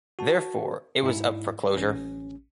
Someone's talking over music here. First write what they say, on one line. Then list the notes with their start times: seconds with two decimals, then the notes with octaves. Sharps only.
Therefore, it was up for closure.
0.19 F#4 A5
1.03 G#2 E4
1.76 A1 C#4